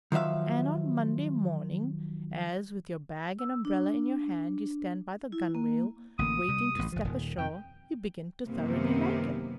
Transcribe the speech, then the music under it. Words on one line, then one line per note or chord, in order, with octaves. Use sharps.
And on Monday morning, as, with your bag and umbrella in your hand, you stand by the gunwale, waiting to step ashore, you begin to thoroughly like it.
D#3 F3 F#3 E5 F5
E6
D4
E4
A#3
A1 D3 A#3 D#6
C3 G3
A1 G2
F#1 F3
D#1 A#2 D#3
F2 C3 G5
F#2 C3 D#3 A#3 B3